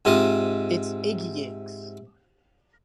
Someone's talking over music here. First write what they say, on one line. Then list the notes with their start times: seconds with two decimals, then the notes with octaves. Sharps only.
It's Iggy Iggs.
0.05 G#2 C3 F4 D#5